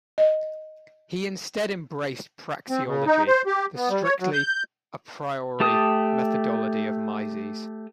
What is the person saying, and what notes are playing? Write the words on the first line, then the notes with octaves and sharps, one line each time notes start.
He instead embraced praxeology, the strictly "a priori" methodology of Mises.
D#5
C4
C#3
D#4
C5
G4
B3
G3
C#5
F#3
G6
A3 G4 A5 D#6